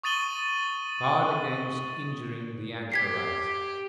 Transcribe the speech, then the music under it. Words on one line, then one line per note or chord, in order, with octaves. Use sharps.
Guard against injuring the anchorite!
C#6 D#6 A6 D#7 F#7 G7
G4 G#6 B6 C7